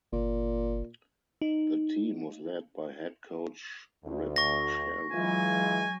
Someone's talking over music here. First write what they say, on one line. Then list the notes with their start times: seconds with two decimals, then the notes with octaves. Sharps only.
The team was led by head coach Rip Scherer.
0.13 G1 A#2
1.42 D#4
4.05 D2
4.36 C#6 A#6
5.13 E3 F#3 G#3 F4 G#5